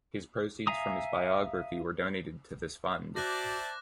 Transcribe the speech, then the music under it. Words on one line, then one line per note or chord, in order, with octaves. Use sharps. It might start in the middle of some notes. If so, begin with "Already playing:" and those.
His proceeds from his biography were donated to this fund.
E5 F5 G#5 A#5 D#6
F#4 C5 D5 E5 A5 D6 F#6 A#6